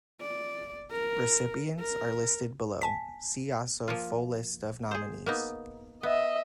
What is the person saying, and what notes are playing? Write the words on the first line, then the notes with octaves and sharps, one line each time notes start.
Recipients are listed below, see also full list of nominees.
D5
A#4
A#4
G#5 A5 B6
F3 A#3 F4
G#4 C5
A#3 B3 D#4
B3 D#5 E5